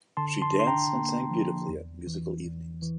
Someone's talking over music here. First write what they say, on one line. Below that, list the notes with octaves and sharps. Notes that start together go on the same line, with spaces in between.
She danced and sang beautifully at musical evenings.
D3 A5 C6
A5 C6
D4 C6
G5 A#5
A#3
F3
E2
E3
E2
E3